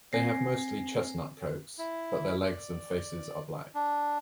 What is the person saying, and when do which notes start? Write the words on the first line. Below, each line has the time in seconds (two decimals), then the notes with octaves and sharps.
They have mostly chestnut coats, but their legs and faces are black.
0.13 C4 G#5 A#6 C7
1.79 E4
2.47 D5
3.74 D4